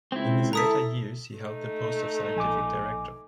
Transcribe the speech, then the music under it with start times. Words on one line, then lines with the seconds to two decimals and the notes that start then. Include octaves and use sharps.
In his later years he held the post of scientific director.
0.12 C#2 C4 E4
0.53 E4 A4 A#5 D#6 B6
1.37 A3 D#4
2.36 A#1 G#5 D6